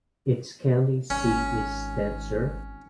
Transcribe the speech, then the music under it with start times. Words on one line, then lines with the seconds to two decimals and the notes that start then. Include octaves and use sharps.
Its county seat is Spencer.
1.10 G#1 C#4